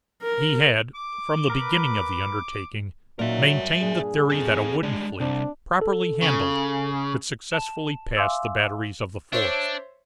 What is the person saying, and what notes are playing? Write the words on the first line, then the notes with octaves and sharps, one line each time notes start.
He had, from the beginning of the undertaking, maintained the theory that a wooden fleet, properly handled, could successfully pass the batteries of the forts.
A#4
D6
A#4 B4
A#2 F#3 C#4 D#4 A#4 E5
G2
G2 A#2 D4 G#4
C4 A4
G3 G#3 D4
C2 C4 D4
A4
C#3
A5 E7
E5 F5 G#5 C6 D6 E6
D4 C5 C#5 E5